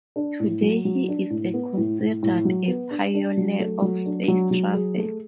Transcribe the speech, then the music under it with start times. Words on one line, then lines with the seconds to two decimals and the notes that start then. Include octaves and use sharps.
Today he is considered a pioneer of space travel.
0.16 D4
0.40 A2
0.62 F#3
0.85 F#3
1.08 D4
1.30 A2
1.54 B3
1.77 A2
1.99 A2
2.23 A2
2.45 F#3
2.68 B3
2.91 D4
3.14 D4
3.37 F#3
3.59 A3
3.82 F#3
4.06 D4
4.28 F#3
4.51 F#3
4.74 G#4
4.97 A3